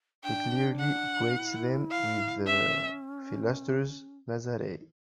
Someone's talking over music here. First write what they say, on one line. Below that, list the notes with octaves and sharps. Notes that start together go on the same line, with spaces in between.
He clearly equates them with Filaster's Nazarei.
D4 G5
F#5
E4
F5
C#4 E5